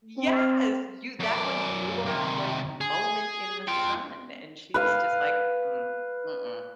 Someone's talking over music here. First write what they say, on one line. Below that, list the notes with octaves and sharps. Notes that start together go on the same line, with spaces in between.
Yes! "You that was your, like, moment in the sun," and she was just, like, "Mm, mm-mm."
C4
F#2 D5
C3 D#3
G#4
F4 G5
B4 F5